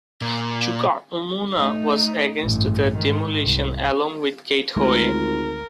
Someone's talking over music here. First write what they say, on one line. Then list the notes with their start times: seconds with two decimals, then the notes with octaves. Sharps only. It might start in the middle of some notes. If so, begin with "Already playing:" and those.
Chuka Umunna was against the demolition, along with Kate Hoey.
0.22 A#2
1.57 A3 D#4
2.41 A1 G2
2.96 G#2 D#3
3.42 C2
4.77 G#1 D2 G#3 A3 F4 A#4